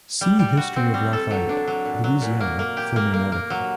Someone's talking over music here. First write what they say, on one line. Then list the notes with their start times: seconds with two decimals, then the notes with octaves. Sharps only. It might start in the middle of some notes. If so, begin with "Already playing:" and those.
See History of Lafayette, Louisiana for main article.
0.21 G3
0.39 G3
0.57 F#4
0.76 C4
0.94 G3
1.13 A4
1.31 F#3
1.49 D4
1.68 F#3
1.85 A#2
2.04 F#3
2.22 A#2
2.40 A#3
2.59 A#3
2.77 G4
2.96 A#3
3.14 A#3
3.32 A#3
3.50 F#3